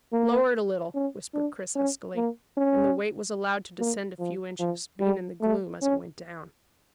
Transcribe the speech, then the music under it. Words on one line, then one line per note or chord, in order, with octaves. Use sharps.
"Lower it a little," whispered Chris huskily, and the weight was allowed to descend a few inches, being in the gloom as it went down.
A#3
C#4
D4
C#4
A#3
C#4
A#3
F3
F3
G3
A3
C#4